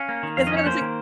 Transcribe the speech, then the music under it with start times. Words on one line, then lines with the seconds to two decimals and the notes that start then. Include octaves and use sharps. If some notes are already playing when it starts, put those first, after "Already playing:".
It's one of those thi
Already playing: C#4 F5
0.09 A#3
0.23 D#3
0.37 F2 F5
0.47 C#4 D#5
0.57 C#5
0.66 A#3 C5
0.81 D#3